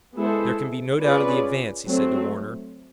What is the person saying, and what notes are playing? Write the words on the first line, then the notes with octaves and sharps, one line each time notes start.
"There can be no doubt of the advance!" he said to Warner.
G#3 B3 E4 A4 C5
C#4 F4 G#4 B4 D5
F#3 A3 C4